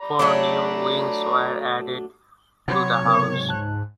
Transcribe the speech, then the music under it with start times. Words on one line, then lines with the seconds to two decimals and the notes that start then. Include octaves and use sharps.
Four new wings were added to the house.
0.01 D5 A#5 B5
0.19 F#3 A3 D4
2.68 C3 F#3 C#5 F#5 B5 C6
3.04 G#2 C#3 B3 A#4
3.48 C#2 A5 F#6